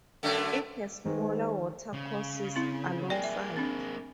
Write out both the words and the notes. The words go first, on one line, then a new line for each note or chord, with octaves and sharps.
It has smaller watercourses alongside.
F#2 D3 A3
G#2 D#3 G#3 B4 C5
C#3
C4 E4
A#3 G#4 D5 G5
E5
C4 D4